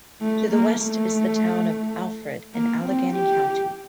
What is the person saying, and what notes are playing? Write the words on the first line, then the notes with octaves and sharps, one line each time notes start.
To the west is the Town of Alfred in Allegany County.
A3
A#3
A3
A#3
C4
G4